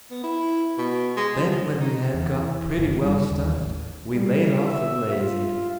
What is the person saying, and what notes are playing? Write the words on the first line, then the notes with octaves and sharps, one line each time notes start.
Then when we had got pretty well stuffed, we laid off and lazied.
B3
E4
B2
G#3
F3
G#2
D#4
E2
E3
G1
G3
D#2
A1
G3
E5
F4